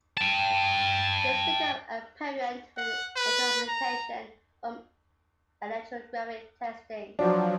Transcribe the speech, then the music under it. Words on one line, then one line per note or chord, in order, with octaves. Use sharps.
This became apparent with the implementation of electrographic testing.
G5 A5
F#5
B4
A#5
F3 F#3 D4